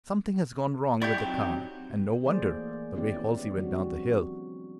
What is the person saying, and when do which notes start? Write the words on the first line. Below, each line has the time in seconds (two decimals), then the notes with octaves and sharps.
"Something has gone wrong with the car, and no wonder--the way Halsey went down the hill."
1.02 E4 G4 D5 C#6 G6
1.18 F#3 C4 D#4 G4
2.26 E3 A3 A#3 G#4 C5 D5
2.94 D#3 B3 C#4 E4 G4 D5
3.58 F3 G3 C4 D4 F#4